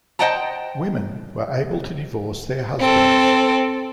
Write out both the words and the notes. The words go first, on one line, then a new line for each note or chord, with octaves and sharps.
Women were able to divorce their husbands.
C5 D#5 F#5 G5 A5 A#5
C4 A4